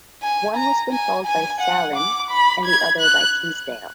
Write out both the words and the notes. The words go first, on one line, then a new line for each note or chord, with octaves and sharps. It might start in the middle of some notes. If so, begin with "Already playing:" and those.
One was controlled by Saleam and the other by Teasdale.
G#5
A#5
G#5
G#5
F#5
D6
B5
G#6
F#6